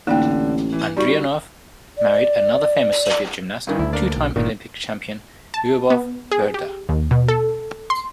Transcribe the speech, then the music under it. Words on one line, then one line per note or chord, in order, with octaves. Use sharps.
Andrianov married another famous Soviet gymnast, two-time Olympic champion Lyubov Burda.
A1 D3 A#3 D#4 G5
E3
G3 D#4 F#4 C#6
D5
G2 D#3 E3
D2 E4
A#3 D4 D5
B1
G1 A#2 D#3
A5
B3
G#4
G4
D#2
B2
A4
C6